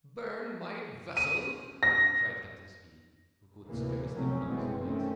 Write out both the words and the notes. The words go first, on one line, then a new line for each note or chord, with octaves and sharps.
"Burn my vessel!" cried Captain Speedy, who could scarcely pronounce the words.
D#7
A#6
D2 A2 C3 E3 A#3
C2 F2 F#3 A3 C4 C#4
F#1 B2 E3 G#3 B3 C4
D#3 A3 C4 C#4